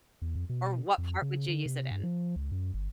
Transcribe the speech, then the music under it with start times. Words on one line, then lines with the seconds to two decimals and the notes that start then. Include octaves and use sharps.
Or what part would you use it in?
0.22 E2
0.35 F2
0.49 B2
0.98 F2
1.22 C#3
1.49 D3
1.66 C3
1.91 G2
2.03 F3
2.36 C#2
2.52 F#2
2.74 G1